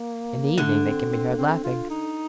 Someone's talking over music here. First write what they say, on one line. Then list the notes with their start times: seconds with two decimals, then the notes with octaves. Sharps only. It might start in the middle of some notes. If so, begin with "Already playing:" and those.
In the evening they can be heard laughing.
Already playing: A#3
0.57 D3 A3
0.84 C4
1.10 C4
1.28 A#3
1.37 C4
1.64 F4
1.90 D#4